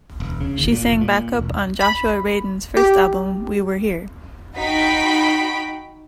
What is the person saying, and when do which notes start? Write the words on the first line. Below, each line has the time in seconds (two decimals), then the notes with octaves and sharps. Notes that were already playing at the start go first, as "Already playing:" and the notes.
She sang backup on Joshua Radin's first album "We Were Here".
0.20 E1
0.41 C#3
0.58 D#2
0.72 A#2
0.86 F1
1.01 A#2
1.39 E1
1.81 B5
2.77 G4
4.56 D#4 F#4 G5 B5 B6 D7